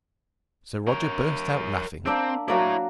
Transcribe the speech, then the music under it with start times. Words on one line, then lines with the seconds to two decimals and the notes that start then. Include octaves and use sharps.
So Roger burst out laughing.
0.87 A#4 C#5
2.06 A#3 C4 D4 E5
2.48 F#3 A#3 E4 C#5 D5